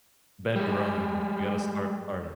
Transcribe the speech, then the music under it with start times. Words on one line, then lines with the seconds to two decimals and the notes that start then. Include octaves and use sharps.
Bed growing. We gotta start start it.
0.56 G3 G#3